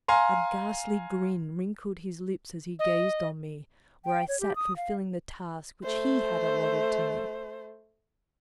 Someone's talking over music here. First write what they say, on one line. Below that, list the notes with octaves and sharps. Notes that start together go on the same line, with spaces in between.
A ghastly grin wrinkled his lips as he gazed on me, where I sat fulfilling the task which he had allotted to me.
F5 G#5 A#5 C6
D#5
G5
C#5
G4
D#6
F5
A3 C5